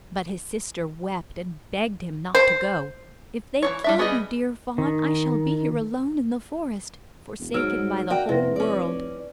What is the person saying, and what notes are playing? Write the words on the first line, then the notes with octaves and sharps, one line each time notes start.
But his sister wept, and begged him not to go: "If they kill you, dear fawn, I shall be here alone in the forest, forsaken by the whole world."
C5
E3 C#4 C#5
G3 D4 E5
G3 B3 G#4 C5 D#5
D#3
E1
G#2 F#3 E6 F6 D7
F#4 A#4 D5 F5 G5
F1 C3 E4 B4 A#6
C#4 D5